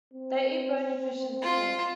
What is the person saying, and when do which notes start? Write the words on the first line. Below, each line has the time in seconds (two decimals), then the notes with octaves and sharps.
They eat bony fish and squid.
0.13 C4
1.42 F4